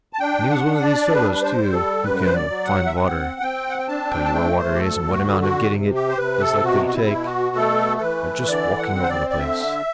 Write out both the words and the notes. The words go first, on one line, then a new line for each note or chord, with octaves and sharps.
And he was one of these fellows, too, who can "find water"--tell you where water is and what amount of getting it is likely to take, by just walking over the place.
A5
D4 G5
F#5
D4
D5
G3 B4
B4
C5
G3
A4
F#2 B4
C5
D5
F#3
F#5
E5
C4 F#5
C4 G5
F#5
G5
D4 A5
G5
A5
A3 G5
C5
G4
D2 A4
F#4
D3
F#4
C3
G4
C5
C3 B4
A4
B2 F#4
F#4
E4
B2
F#4
A3 A4
A4
E3 B4
D3 D5
F#5
C4
C5
D5
D5
D3 E5